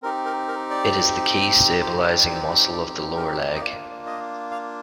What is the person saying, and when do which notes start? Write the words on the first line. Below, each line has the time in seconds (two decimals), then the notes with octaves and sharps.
It is the key stabilizing muscle of the lower leg.
0.03 C4 D#4 G4 A#4
0.26 A#4
0.48 A#4
0.70 D5
1.82 C5
2.27 D5
2.72 D5
3.16 A#4
3.39 C5
3.55 D#5
3.61 A#3 D4 F4 D5
4.06 D#5
4.51 F5